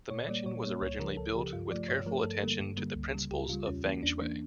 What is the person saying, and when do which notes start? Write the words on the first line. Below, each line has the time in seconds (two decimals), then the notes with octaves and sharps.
The mansion was originally built with careful attention to the principles of Feng Shui.
0.10 A#2 C#5
0.28 G3 A#3 D5
0.46 A#2 C#5
0.63 G3 A#3 C#5
0.81 C#2 C#5
0.99 C#3 F3 A#4
1.17 C#2 A4
1.35 C#3 F3 G4
1.53 G2 F4
1.70 F3 A3 D5
1.88 G2 C#5
2.06 F3 A3 A#4
2.24 G2 A4
2.43 D3 G3 A#3
2.60 G2
2.77 D3 G3 A#3
2.95 C#2
3.14 C#3 G3
3.31 C#2 G4
3.49 C#3 G3 F4
3.67 E2 C#4
3.84 E3 A#3 C#4
4.03 E2 D4
4.21 E3 A#3 D4